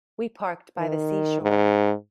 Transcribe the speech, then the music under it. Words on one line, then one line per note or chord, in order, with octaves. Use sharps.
We parked by the seashore.
D#3
G#2